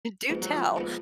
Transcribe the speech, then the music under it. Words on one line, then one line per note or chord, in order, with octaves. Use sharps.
Do tell.
G#2 F3 G#3 B3
F#3
F3
G#2 F3 G#3 B3